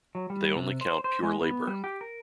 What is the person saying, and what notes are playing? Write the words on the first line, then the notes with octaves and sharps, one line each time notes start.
They only count pure labour.
F#3
G3
C3
C5
C5
G#3
B3
G3
G4
A#4